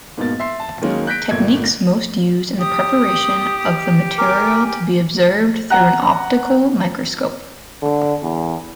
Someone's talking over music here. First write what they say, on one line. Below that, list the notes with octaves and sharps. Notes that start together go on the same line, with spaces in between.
Techniques most used in the preparation of the material to be observed through an optical microscope.
G#2 B2 A#3 A6
E5 C6 C7
A5
D#3 F#3 G#3 A#3 C#4
F#6 G6 A#6 B6 D7
G1 A#2 A3 E5 G#6
G4 D#6
A#4 G#5 D6
F#5 A#5 F#6
D3
E2